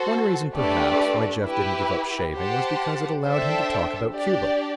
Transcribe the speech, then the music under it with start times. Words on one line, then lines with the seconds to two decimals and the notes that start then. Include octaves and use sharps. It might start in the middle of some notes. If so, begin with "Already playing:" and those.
One reason, perhaps, why Jeff didn't give up shaving was because it allowed him to talk about Cuba.
Already playing: F#4 A4 C5
0.53 A3 D4 G4 B4 D5
1.44 E4 G4 B4
2.33 G4 C5 F#5 A5
3.23 D4 A4 C5 E5 G5
4.13 D4 G4 D5